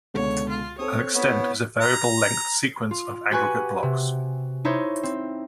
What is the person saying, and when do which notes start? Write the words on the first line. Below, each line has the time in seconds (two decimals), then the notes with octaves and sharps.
An extent is a variable-length sequence of Aggregate blocks.
0.14 C#2 B2 D3 C#5
0.50 F4
0.79 C4 A4 C#5 D#6
1.14 B3 E4 C#5
1.80 A#5
2.91 F4
3.31 F#4 G4 B4 G#5 C#6 F#6
3.83 C3
4.65 D#4 E4 C5 C#5
5.03 C4